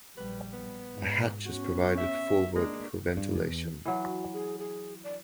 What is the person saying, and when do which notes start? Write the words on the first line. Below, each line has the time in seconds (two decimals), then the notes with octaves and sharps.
A hatch is provided forward for ventilation.
0.17 A#1 G3 B4
0.53 B3
0.93 G#2
1.45 B3 C#4 F#4
1.98 E5
2.56 G#3 A#3 D4
3.17 G2
3.36 E2
3.85 E3 F#3 F#4
4.33 G#4
4.59 G#4
5.04 D5